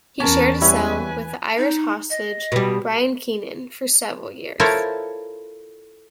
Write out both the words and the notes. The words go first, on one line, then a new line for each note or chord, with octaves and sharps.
He shared a cell with the Irish hostage Brian Keenan for several years.
E2 C#4 A#4 A5
G3 E4 B4 C#5 G#5
D#4
D#5
B2 G3
E4 F4 A4 A#4 C5 C#5